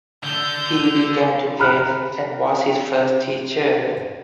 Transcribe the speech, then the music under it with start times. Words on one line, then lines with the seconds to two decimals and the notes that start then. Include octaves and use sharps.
He began to paint and was his first teacher.
0.23 D3 A4 G6
1.59 A#5 B5 F6 F#6